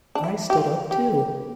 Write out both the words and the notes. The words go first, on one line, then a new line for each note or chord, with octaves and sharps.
I stood up too.
D4
E4
G4
F4
G4